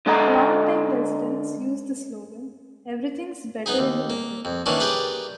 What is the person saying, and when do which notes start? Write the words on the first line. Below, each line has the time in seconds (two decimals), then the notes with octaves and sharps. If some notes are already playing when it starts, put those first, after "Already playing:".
Longtime residents use the slogan "Everything's Better in Metter".
0.06 D3 G#3 A4 D#5 F#5 A#5
3.66 B3 D#4 G#4
3.79 D#2
4.10 A#3
4.45 F2
4.66 D#3 E3 A#3 C#4 D4
4.80 G4 G#4 A#4 B4 D5